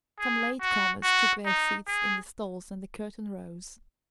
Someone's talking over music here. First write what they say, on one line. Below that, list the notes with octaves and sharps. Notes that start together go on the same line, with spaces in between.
Some latecomers took their seats in the stalls, and the curtain rose.
G#4
F#4
F#4
D#4
G#4